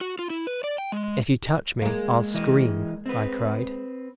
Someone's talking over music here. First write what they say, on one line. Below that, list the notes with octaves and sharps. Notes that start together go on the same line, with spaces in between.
"If you touch me, I'll scream," I cried.
F#4
F4
E4
B4
D5
G5
G#3
G#3 A#3
E3 D#5
C4 B4